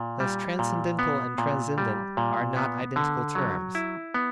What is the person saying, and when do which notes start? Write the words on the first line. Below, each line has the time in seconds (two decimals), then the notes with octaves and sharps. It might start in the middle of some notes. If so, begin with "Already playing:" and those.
Thus transcendental and transcendent are not identical terms.
Already playing: A#2
0.20 G3
0.59 A#2
0.99 B3
1.38 A#2
1.78 G3
2.17 A#2
2.57 B3
2.96 D3
3.35 F#3
3.75 E4
4.14 B3